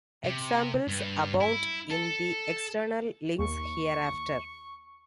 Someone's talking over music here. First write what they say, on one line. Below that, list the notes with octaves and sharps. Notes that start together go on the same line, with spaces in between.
Examples abound in the "External Links" hereafter.
C3
G2
E4
A4
D#2 C#6